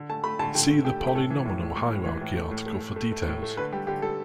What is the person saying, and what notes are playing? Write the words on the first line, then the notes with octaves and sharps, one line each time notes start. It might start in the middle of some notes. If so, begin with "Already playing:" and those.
See the polynomial hierarchy article for details.
Already playing: D3
A3 A5
A3 B5
D3 A5
D3 G5
A3
A3 G4
A3
G4
A2 A4
E3
A2
A2
A2
A2
E3
A2
A3
A2
A3
A3
A3
A3
A2
A3
D3 B4
G3 G4
D3 G4
G3 A4